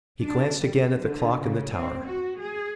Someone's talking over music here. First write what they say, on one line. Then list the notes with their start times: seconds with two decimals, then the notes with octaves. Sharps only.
He glanced again at the clock in the tower.
0.23 D4
0.60 G3
1.00 D3
1.41 C#3
1.73 C4
2.06 F#4
2.38 G#4